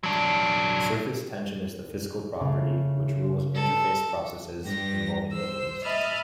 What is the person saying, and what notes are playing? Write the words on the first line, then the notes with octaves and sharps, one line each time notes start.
Surface tension is the physical property which rules interface processes involving liquids.
F#3 D4
C#3 A3
A4
G2 G4 A#6
C5 E6
D#5 E5 A5 B5 D6 F6